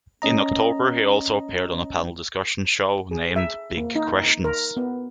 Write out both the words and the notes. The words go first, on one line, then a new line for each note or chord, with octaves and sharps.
In October he also appeared on a panel discussion show named "Big Questions".
C#4 D#5 A#5
G#4
E5
A#3
D#4
A#4
B3